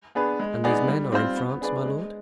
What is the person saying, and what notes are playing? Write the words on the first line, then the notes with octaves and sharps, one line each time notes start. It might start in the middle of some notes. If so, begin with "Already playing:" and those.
"And these men are in France, my lord?"
B3 D4 G#4 B4
G#3
B3 D#4 G#4 D5
G3
C4 F4 C5
B3
D4 G#4 B4 D5
G#3